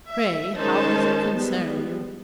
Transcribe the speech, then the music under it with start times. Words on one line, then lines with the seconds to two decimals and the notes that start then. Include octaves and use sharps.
'Pray how does it concern you?
0.10 E5
0.58 D#3 G#3 C#4 D#4 C5 A5
1.35 G3 G#3 B3